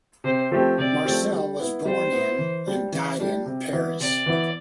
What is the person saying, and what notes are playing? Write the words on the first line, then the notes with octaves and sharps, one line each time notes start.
Marcel was born in and died in Paris.
C3 C5
F3 A3 C4 G4
C3 D5
F3 A3 C4 G4
G3
B3 E4
G3 C5
B3 E4
E3
G3 D4
E3
G3 D4
C3
E3 B3 E4
C3 D5
E3 B3 E4